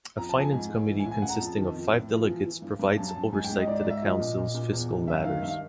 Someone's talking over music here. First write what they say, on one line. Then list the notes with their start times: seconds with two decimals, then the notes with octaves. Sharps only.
A Finance Committee consisting of five Delegates provides oversight to the Council's fiscal matters.
0.17 F2 A#5
0.29 A5
0.35 F2
0.41 G#5
0.52 G#2
0.70 G#2
0.87 E3
1.00 G#5
1.05 A2
1.11 G#5
1.22 C#3 F#5
1.29 A#5
1.34 A5
1.40 F2
1.46 A5
1.58 D#3
1.75 F2
1.93 A2
2.10 F3
2.28 E3
2.46 E3
2.62 G2
2.79 G2
2.97 F#2 A5
3.09 A5
3.15 F#2
3.33 G#2 G#5
3.44 G5
3.50 G#2
3.56 D#5
3.67 G#2 D5
3.80 G#2 D5
3.90 E5
4.02 F3 D#5
4.19 A#2
4.37 A#2
4.54 A#2
4.73 E2
4.90 C3
5.07 F#2 E5
5.24 D#3 F5
5.42 G2 E5
5.48 F5